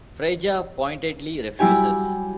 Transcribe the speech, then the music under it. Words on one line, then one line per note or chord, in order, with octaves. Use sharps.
Freyja pointedly refuses.
F#3 G3 E4 G4 G#5